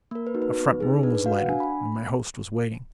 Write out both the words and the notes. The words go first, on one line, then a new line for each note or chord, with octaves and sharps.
A front room was lighted; my host was waiting.
A#3 A#4
B4
D#4 F#4
B4
B3
D#4 G#4
D4 B4
B4
F#4 F5
F#5
D4 G#5
B5